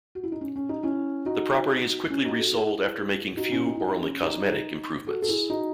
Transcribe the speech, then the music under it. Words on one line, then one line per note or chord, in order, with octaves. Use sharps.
The property is quickly resold after making few, or only cosmetic, improvements.
F#4
E4
D#4
C#4
C#4
D#4
C#4 E4
D#4 F#4
C#4 E4
D#4 F#4
F#4 A4
E4 G#4
D#4 F#4
C#4 E4
D#4
E4
D#4
C#4
D#4
F#4 A4
A4
E4 G#4
D#4 F#4